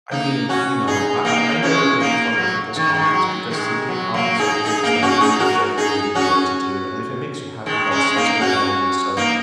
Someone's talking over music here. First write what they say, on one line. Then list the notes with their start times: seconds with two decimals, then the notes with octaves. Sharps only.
I mean, you know, I I I never make fun of people's hobbies because to me, hobbies are things that we genuinely enjoy to do and if it makes you happy that's that's really all it is so,
0.11 A#3 D#4
0.49 C#4 F#4
0.87 D#4 G#4
1.25 A#3 D#4
1.62 G#3 C#4
2.00 A#3 D#4
2.38 F#3
2.76 D#3
2.94 D#3 G#3
3.13 F#3
3.51 D#3 G#3
3.89 F#3
4.14 F#3 A#3
4.39 D#4 G#4
4.65 D#4 G#4
4.83 A#3 D#4
5.02 C#4 F#4
5.20 D#4 G#4
5.40 F#4 A#4
5.77 D#4 G#4
6.15 C#4 F#4
7.66 D#3 G#3
7.91 G#3 C#4
8.16 A#3 D#4
8.41 C#4 F#4
9.17 A#3 D#4